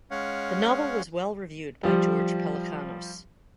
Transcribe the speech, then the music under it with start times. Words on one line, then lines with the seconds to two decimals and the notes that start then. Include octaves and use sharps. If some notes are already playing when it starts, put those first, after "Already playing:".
The novel was well-reviewed by George Pelecanos.
0.11 G#3 C#4 C#5 F5 F#5
1.83 F3 G3